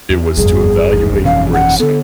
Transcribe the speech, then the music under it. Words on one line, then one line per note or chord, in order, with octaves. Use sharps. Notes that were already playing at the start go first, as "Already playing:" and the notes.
It was to evaluate risk.
E2
G1 F2 G#4
D1 A1
B2 E3 C#4 F5
F#5
D3 B3 A4